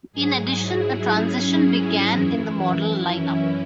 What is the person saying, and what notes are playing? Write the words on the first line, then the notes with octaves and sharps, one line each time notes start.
In addition, a transition began in the model lineup.
G#2 F#3 G#4
E4
C#4
E4
F#2 E3 E4
C#4